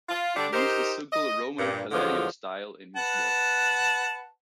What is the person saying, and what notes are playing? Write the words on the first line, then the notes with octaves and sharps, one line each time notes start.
He used a simple Roman Palladio-style in his work.
F4
D3 G3 D4
D#4 G4 A#4 C5
D#5
G2 A#2
E2 D3 F3 F#3 G#3
B4 F#5 A5